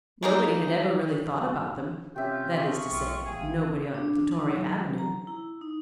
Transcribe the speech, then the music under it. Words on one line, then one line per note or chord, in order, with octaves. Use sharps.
Nobody had ever really thought about them--that is to say, nobody on Plutoria Avenue.
G#3 A#3 D#4
C3 C#4 F4 G4 E5 G6
G#4 C#5 A5 C#6
B1 F4
A1 G#4 F5 G5 G#5
D4
D#4
F#3
A#5
E4
D#4